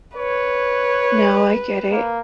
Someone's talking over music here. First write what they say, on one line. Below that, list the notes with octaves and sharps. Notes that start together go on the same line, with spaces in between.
No, I get it.
B4 C#5
A#3